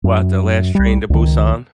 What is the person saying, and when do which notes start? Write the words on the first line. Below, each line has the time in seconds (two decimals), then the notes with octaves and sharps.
What, the last Train to Busan?
0.04 F#2
0.75 C2 G3
1.10 C#2 D#3